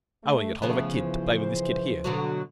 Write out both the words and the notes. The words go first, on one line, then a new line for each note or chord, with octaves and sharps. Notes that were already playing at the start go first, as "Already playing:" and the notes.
I want to get hold of a kid to play with this kid here.
A3
C#3 F3 A3 B3
E3 C5
B2 D3 F#3